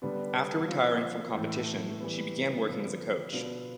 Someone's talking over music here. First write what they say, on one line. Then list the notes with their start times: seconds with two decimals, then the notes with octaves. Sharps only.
After retiring from competition, she began working as a coach.
0.02 D3 G3 B3 D4
0.68 F3 C4 F4
1.34 A2 E3 A3
2.00 E3 G3 B3
2.66 D3 F3 B3
3.32 B2 B3 D4 F4